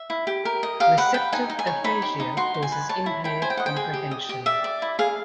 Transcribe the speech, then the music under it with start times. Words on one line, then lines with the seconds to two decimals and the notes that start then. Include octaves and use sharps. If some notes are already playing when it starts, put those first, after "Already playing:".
Receptive aphasia causes impaired comprehension.
Already playing: E5
0.10 E4
0.27 G4
0.45 A#4
0.63 D#5
0.80 G4 F5
0.98 B4 F#5
1.14 B4 G5
1.32 D#4 G#5
1.50 D#4
1.59 G#5
1.67 C#5
1.84 D#4 B5
2.02 G4
2.20 D#4
2.37 F#4 C6
2.54 D#4
2.62 G#5
2.72 B4
2.89 C#5 A5
3.06 E4
3.24 E4 G5
3.42 C5 G#5
3.50 G5
3.57 D#5 F#5
3.66 G5
3.76 G#4
3.94 G4
4.11 D#5
4.29 G4
4.46 D5 E5
4.64 D5
4.82 E4
4.99 G#4 F5